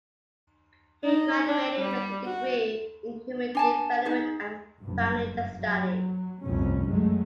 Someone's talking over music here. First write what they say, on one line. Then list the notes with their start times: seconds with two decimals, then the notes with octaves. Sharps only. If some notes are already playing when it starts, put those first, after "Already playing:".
He graduated with a degree in human development and family studies.
1.04 D#4
1.45 D4
1.79 G3
2.25 F#4
3.55 D4 G#5 A5
4.05 D#4 G#4
4.83 F#1 G2
5.59 F#3
6.43 G1 C2 F2 A2 C#4
6.89 F#2 F#3 G#3 A3